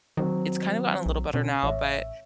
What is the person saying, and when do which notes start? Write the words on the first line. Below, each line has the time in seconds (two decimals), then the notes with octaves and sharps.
it's kinda gotten a little better now, but
0.17 D#3 F#3 C4
1.06 B1
1.34 B2 C#4
1.63 A1 C#5 E5